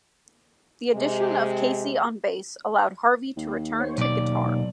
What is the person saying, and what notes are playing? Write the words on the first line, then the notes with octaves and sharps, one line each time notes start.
The addition of Casey on bass allowed Harvey to return to guitar.
C3 G#3
D#2
C5 C#5
B1 B2 D5
D#2